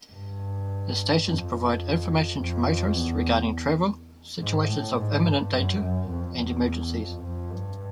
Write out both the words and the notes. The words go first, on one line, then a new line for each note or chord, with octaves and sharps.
The stations provide information to motorists regarding travel, situations of imminent danger and emergencies.
G2
F2
F2
E2
G#2
A2
G#2
G2
F#2
F#2
F2
E2
F2
F2
G2